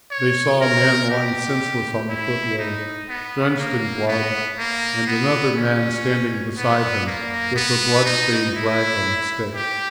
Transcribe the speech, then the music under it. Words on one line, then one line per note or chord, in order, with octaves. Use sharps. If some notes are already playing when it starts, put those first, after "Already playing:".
They saw a man lying senseless on the footway, drenched in blood, and another man standing beside him with a blood-stained rag on a stick.
C#5
A#4
G4
E4
D#4
B3
A#3
B3
A#3
B3
C#4
B3
A#3
B3
D#4
E4
G4